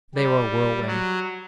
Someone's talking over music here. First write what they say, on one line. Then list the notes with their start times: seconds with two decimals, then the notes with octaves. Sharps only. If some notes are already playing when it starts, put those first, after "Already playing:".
They were a whirlwind.
0.15 G3
0.87 F#3